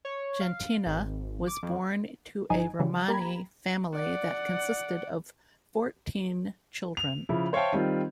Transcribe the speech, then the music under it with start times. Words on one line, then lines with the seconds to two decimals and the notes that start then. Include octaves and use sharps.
Jentina was born to a Romani family that consisted of fourteen children.
0.05 C#5
0.41 F5
0.86 G#1
1.47 D6
1.63 F2
2.50 G1 F3 D#4 G#5
2.79 C#3 E3 F#3 G3
3.08 A#3 G4 A#5 B5 G#6
3.95 D5 F#5
6.97 F7
7.29 C#3 F3 E4
7.53 C5 C#5 E5 F5 G5 A5
7.73 D#3 G3 C4 F4